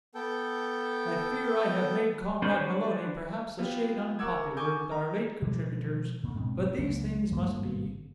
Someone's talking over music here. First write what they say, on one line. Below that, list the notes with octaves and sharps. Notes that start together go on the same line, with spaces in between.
I fear I have made Comrade Maloney perhaps a shade unpopular with our late contributors, but these things must be.
B3 A4 G5
C#4 D4 F#4 B4 C5
B3 F4 G4
A#4 F#5 C#6 D6 E6 G#6
G#5 C#6 D6 G6
A#5
B2 E3 F3 G#3
A#2 A3
G#2 B2 C4 D4
F#1 C#2 A#3 C#4
G#1 G2 A3 A#3